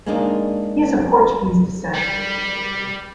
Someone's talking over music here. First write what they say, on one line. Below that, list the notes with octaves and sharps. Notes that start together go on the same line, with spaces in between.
He is of Portuguese descent.
G#3 A#3 D4 D#4
G3